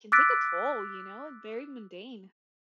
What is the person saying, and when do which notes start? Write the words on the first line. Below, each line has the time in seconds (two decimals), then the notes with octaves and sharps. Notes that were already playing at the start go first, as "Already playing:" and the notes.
can take a toll, you know? Very mundane.
0.12 D6 E6 F#6 A6 B6 D7